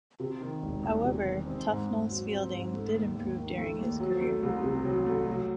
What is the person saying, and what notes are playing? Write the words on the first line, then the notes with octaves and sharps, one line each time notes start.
However, Tufnell's fielding did improve during his career.
C3
D#3
E1
E2
C3
D#3
C4
G#2
G#2
F#3
C4
G#2
A3
D#2
D#2
D#3
A3
D#2
F#3
A3
C2
C3
F#3
A3
F#3